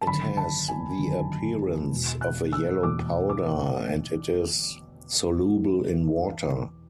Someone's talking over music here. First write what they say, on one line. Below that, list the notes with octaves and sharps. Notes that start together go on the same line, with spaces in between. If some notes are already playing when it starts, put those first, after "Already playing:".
It has the appearance of a yellow powder, and it is soluble in water.
A5
G#1 F#2 D3 B5
A5
G#5
G#1 F#2 D3
E1 E2 B2
F#6
E6
E1 E2 B2 D6
D6